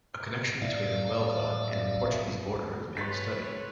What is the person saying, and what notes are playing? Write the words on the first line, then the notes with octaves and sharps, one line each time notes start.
A connection between Huelva and the Portuguese border is being studied.
A2 D5 E5 F5
B4 C#5 C6 A6 B6